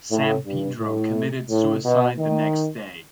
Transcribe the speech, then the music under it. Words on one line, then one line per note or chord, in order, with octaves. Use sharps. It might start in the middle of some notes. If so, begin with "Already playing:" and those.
Sampedro committed suicide the next day.
A2
G2
A2
A2
B2
D#3